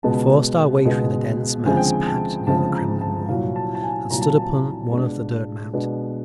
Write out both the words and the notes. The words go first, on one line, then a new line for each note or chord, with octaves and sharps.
We forced our way through the dense mass packed near the Kremlin wall, and stood upon one of the dirt-mountains.
C#2 B2 G#3 B3 A5
C#2 B2 G#3 B3
D2 C#3 F3 G#3 C4 G#5
G5
G#5
A5
D2 C#3 F3 G#3 C4 A5
A#5
A5
C2 A#2 F#3 F5
A5
A5
G#5
C2 A#2 F#3 A#5
A5
G#5
A5
B2 G#3 B3 D4
B2 G#3 B3 D4